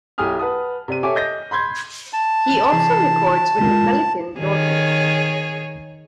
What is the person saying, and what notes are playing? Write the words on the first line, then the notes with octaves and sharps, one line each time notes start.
He also records with the Pelican Daughters.
B1 E4 G4 G#5 D#6 F6
B4 F#5 A5 D#6
C3 D5 D#7
G4 A4 C#5 E5 G#5 D6
D#5 G6 A#6
B5 C6 G6 G#6
A5
C2 E3 G#4
G#3 F4 A#4
D#3 G#4 C#5